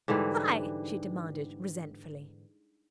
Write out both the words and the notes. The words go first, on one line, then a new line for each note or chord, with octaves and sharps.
"Why?" she demanded, resentfully.
G#2 D3 E3 G3